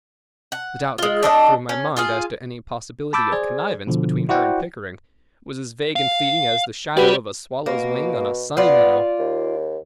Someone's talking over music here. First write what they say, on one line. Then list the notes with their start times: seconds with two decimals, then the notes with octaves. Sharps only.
The doubt that crept through my mind as to any possibility of connivance between her and Pickering was as vague and fleeting as the shadow of a swallow’s wing on a sunny meadow.
0.52 F#5
0.98 G#3 F4
1.23 D4 A4 D#5
1.69 C#4
1.97 F4 G#4 F5
3.13 A5 B5 D6 E6 G6 A6
3.32 G#4 C5 D5 G#6
3.87 B2 D3 F3
4.29 E4 F#4 C5 D5 F#5 G5
5.96 F5
6.97 G3 F#4 G4 B4 D5
7.66 B2 A#3
8.57 B3 F4 D5
9.19 D#2